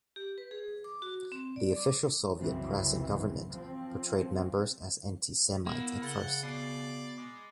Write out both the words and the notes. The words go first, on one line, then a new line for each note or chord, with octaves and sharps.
The official Soviet press and government portrayed members as anti-Semites at first.
G4
B4
G#4
D6
F#4
C4
D5
D6
C2 F#2 C#3 E3 C4
F3 C4
A#3 B3 E4
C#3 F#5 B5 A6 G7
B2 D5 C7
G#3 D6